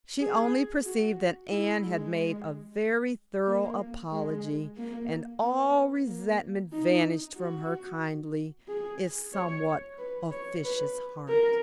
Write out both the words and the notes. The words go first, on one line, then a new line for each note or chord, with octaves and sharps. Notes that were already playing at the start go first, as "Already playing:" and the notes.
She only perceived that Anne had made a very thorough apology and all resentment vanished from her kindly, if somewhat officious, heart.
G#4
F#4
E4
G#3
A#3
G#3
A#3
B3
A#3
D#4
F#4
G#4
C#5
B4
C#5
B4
A#4